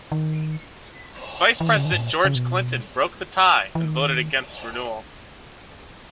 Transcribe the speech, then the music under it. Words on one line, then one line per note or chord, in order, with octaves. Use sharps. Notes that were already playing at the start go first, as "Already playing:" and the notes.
Vice President George Clinton broke the tie and voted against renewal.
D#3
E3
D#3
C#3
D#3
G#2
A#2
C#3
B2
E3
D#3